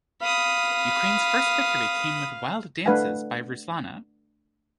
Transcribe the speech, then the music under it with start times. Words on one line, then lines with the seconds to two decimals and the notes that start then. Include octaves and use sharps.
Ukraine's first victory came in with "Wild Dances" by Ruslana.
0.22 F5 B5 D#6
2.86 A3 D4 B4 F5 F#5 G#5